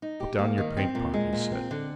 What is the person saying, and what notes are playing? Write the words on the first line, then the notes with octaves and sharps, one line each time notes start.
"Put down your paint pot," he said.
D#4
G4
A#3
D#3
C4
A#2
G#3
A#2
C4
D3